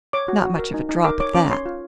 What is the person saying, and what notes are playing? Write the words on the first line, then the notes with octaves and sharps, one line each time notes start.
Not much of a drop at that.
C#5 D6
F#4
F#4
A#4
D#4
D#4
A#4 D6
C#5 D6
C#4 D6
C#5 C6
F4